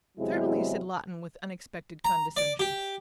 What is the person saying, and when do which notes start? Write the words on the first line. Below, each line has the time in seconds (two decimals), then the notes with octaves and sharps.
"Certainly," said Lawton, with unexpected condescension.
0.18 E2 C3 F#3 G#3 E4
2.05 A#5
2.37 D5
2.59 G4